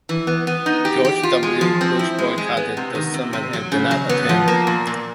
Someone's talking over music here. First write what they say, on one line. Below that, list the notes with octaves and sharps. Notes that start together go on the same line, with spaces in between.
George W. Bush boycotted the summit and did not attend.
E3
B3
B3
D#4
G4
G4
F4
G#3
F3
C4
E4
G#3
G#3
B3
C3
D#3
C3
C3
F#3
C#3
F#3
B3
F3
A#3
A#2
A#2